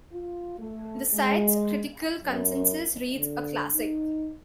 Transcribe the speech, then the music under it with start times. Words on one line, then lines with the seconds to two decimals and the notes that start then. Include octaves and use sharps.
The site's critical consensus reads, A classic.
0.12 F4
0.59 A3
1.13 G#3
2.24 F#2
3.17 D3
3.74 D#4